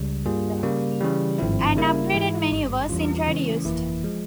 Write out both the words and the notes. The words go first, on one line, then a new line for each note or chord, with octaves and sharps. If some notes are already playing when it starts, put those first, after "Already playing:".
An upgraded menu was introduced.
Already playing: C#2 C#3 G3
G2 G3 A#3 F4 G#4
C#3 G3 A#3
C#3 E3 G3
G#1 G2 F3 C4 E4
C#3 G3 A#3 E4 A#4
G#2 E3 G#3 E4
G#1 G2 G3
E2 E3 G3 C#4 F4
C#3 E3 G#3 C#4
G1 F2 E3 A#3 E4
F3 G#3